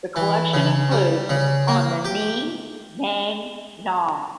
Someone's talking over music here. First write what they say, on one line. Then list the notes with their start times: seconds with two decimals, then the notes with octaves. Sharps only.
The collection includes "On the Ning Nang Nong".
0.16 E3
0.54 C#3
0.91 G3
1.29 C#3
1.68 A#3
2.05 G4